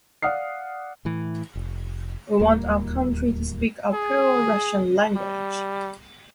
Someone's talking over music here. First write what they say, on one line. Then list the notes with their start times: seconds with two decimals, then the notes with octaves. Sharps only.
We want our country to speak our pure Russian language.
0.22 D5 F5 F#5 D#6 F6 C7
1.05 A2 E3
1.55 F1
2.40 D1 D#2 G3 A#3
3.93 G#4
5.16 G3